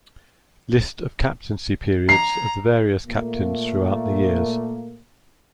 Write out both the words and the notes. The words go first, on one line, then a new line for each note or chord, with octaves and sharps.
List of captaincy periods of the various captains throughout the years.
A#5 C7
A#2 A3 A#3